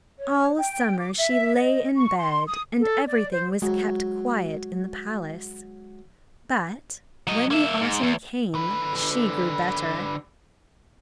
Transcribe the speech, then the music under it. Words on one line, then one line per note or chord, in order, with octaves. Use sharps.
All summer she lay in bed, and everything was kept quiet in the palace; but when the autumn came she grew better.
C#5
G5
D6
E5
D#5
C#6
C6
D#6
A4
D5
C5
F#3 G#3
F#3 D#5
A#3 E5
G#2
E2
D3 B4